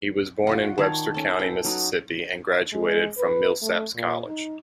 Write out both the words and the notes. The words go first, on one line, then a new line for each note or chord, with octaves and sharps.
He was born in Webster County, Mississippi and graduated from Millsaps College.
F4 F#4 D#5 F5
D#3 C#5 D5 A5
C#4 A4
A4 B4 G5
F#3 D#4 F#4
G#3
B4
A3
A#2
D#4